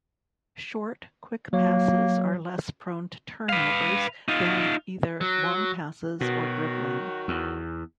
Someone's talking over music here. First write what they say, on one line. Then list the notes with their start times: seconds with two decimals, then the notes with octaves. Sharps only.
Short, quick passes are less prone to turnovers than either long passes or dribbling.
1.53 F#3 A#3 C#5
3.49 B4 F5
4.28 D#4 F4
5.21 F#3
6.21 B2 D#3 F#3 F#4
7.28 E2